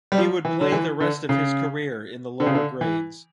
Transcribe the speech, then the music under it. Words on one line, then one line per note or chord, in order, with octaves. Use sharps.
He would play the rest of his career in the lower grades.
G3
F3
E3
D3
E3
D3
C#3
D3
C#3
D3
E3